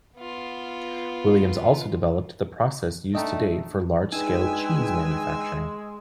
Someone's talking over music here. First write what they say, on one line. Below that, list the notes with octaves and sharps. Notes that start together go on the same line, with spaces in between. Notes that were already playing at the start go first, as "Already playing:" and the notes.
Williams also developed the process used today for large-scale cheese manufacturing.
B3 F4
A3 D4 D#4 D#5 G5 A#5
G#3 D4 D#4 G#4 B4 G5 G#5 E6